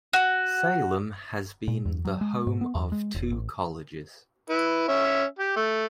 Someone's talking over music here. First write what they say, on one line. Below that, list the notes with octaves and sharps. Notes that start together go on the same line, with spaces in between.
Salem has been the home of two colleges.
F#4
A#2
E2
F#3
G#3
G#2
B3
E2
G#3
E1
A1
E4 B4
C#4 E5
G4
A3